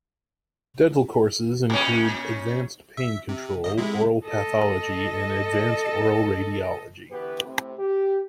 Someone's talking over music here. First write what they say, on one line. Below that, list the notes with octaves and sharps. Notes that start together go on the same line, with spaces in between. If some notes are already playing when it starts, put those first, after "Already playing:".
Dental courses include advanced pain control, oral pathology, and advanced oral radiology.
A#2 C#4
E5
C3
G#1 D#5
C3 G#3 E4
A4 D#5
D3 E3 B3 F#4 G4 B4
A2 C3
G4